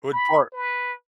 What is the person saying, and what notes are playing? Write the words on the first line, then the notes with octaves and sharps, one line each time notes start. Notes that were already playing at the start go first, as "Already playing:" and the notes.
What part
B5
B4